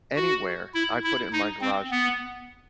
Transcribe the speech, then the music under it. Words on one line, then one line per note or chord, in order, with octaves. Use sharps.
anywhere- I put it in my garage-
F#4
E4
E4
D#4
C4
B3